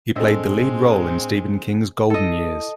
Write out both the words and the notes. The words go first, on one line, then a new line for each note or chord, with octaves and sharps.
He played the lead role in Stephen King's "Golden Years".
A2 G#3 C4 D4 A4 D#5 E6
E4 A4 D#5